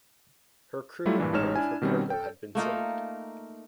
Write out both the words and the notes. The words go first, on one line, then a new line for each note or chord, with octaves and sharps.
Her crew and part of her cargo had been saved.
F#3 G3 A3 E4 F4
G2 A#2 E3 D4
A1 G#3 D#4 C#5 F6 E7
D4 E4 G#5
B2 D#3 G3 C4 C#4
A4 G5
A3 A#3 D#4 F4